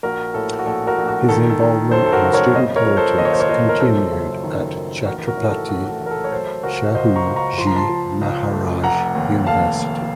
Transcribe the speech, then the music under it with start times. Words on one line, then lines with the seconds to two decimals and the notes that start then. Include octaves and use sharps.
His involvement in student politics continued at Chhatrapati Shahu Ji Maharaj University.
0.03 A#1 F#4 A#4
0.34 A2 A4
0.59 F#4
0.66 A#1 A4
0.87 F#4 A#4
0.98 A#1
1.08 F#4
1.29 D#3 A4
1.49 A4
1.61 D#3
1.91 F#2 A4 C5
2.06 A4
2.12 F#4 A#4
2.24 F#1
2.33 A#4 C#5
2.55 C#3 C5 D#5
2.76 A#4 C#5
2.86 F3
2.97 A4 C5
3.18 D#2 D#5
3.25 C#5
3.33 C5
3.40 A#4 C#5
3.49 F3 C5 D#5
3.69 A#4
3.80 F#2 A4 C5
4.12 F#1
4.44 D#3
4.75 D#3
5.06 A1 F#4 A#4
5.27 F#4 A#4
5.37 A2
5.48 A4
5.69 A1 F#4
5.86 F#4
5.90 A4
6.01 A1
6.06 A#4
6.11 A4
6.24 C#5
6.32 F#3 A4 C5
6.63 C#2 F#4 A#4
6.95 C#2 C5 D#5
7.16 A#5 C#6
7.27 C#2
7.36 A#5 C#6
7.58 F3 C6
7.67 A#5
7.76 A5 C6
7.89 F3
8.21 C#2
8.51 A3
8.83 F1 F#5 A#5
9.15 D#2
9.46 A3 F5 A5
9.77 D#2